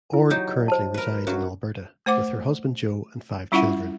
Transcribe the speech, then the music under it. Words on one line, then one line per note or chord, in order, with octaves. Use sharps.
Ord currently resides in Alberta, with her husband Joe and five children.
E4
F#3 D#4 G4
C5 A5
A#4 B4
F#2 F#3 F#4
A3 C5 F#5 D6
G3 C#4 E4 F4 E5 F#5